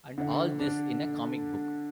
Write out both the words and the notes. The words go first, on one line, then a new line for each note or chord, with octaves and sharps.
And all this in a comic book!
D3
D4